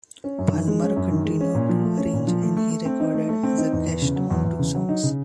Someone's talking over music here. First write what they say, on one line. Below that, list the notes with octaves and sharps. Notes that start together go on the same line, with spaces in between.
Palmer continued to arrange, and he recorded as a guest on two songs.
C#4
F#2
D#3
G#3
C#4
F#2
D#3
G#3
C#4
A#2
F3
A3
C#4
A#2
F3
A3
A3
A3
C4
D#4
A3
A3
C4
D#4
E2
E2
C#3
F#3
E2
E2
C#3
F#3
D#4
C#3